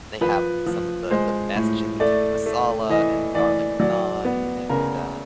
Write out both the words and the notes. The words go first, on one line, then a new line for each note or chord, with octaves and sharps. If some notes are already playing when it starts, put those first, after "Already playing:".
they have some of the the best chicken tikka masala and garlic naan, and, uh,
F3 B4
F3
G#3 C5
A2
A3 D5
A3
E3 D#5
E3 D5
F#3 D5
B3
C#3 A#4